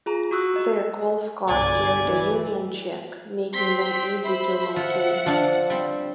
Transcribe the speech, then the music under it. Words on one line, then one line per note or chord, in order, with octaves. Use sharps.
Their golf cart carried a Union Jack, making them easy to locate.
F4 G#4 A#5
F#4 C#6 D#6 E6 F#6
D#5
G1 C2 D5 G#5
E3
C4 C6 B6
C5 E5 B5
F3 F#5
F3 D4
G3 C4